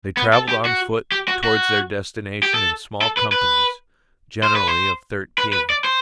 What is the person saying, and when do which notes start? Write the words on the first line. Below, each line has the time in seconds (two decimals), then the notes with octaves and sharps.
They travelled on foot towards their destination in small companies, generally of thirteen.
0.17 B3
0.33 A4
0.49 G4
0.65 F#4
1.12 G4
1.28 F#4
1.44 F#4
2.43 G4
2.54 A4
3.02 A4
3.17 B4
3.32 B4
4.43 C5
4.55 B4
4.68 C5
5.38 B4
5.53 B4
5.70 D5
5.84 C5